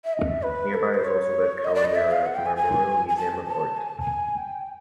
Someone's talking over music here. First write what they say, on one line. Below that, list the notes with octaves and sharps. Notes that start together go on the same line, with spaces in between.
Nearby is also the Kawamura Memorial Museum of Art.
E5
D#5
E5
B4
A4
A#4
C5
C#5
D#5
D5
D#5
E5
F5
F#5
G5
G#5
G#5
G#5
A5
A5
G#5
A5
G#5
G5